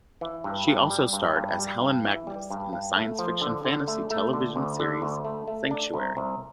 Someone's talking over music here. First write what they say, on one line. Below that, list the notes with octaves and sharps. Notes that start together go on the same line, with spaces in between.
She also starred as Helen Magnus in the science fiction-fantasy television series "Sanctuary".
E3
G2
G2
G3
G2
G2
G3
G2
E3
G3
G2
G2
A3
F3
D3
D3
A3
A3
D3
D2
D3
D2
A3
A3
D4
C2
C2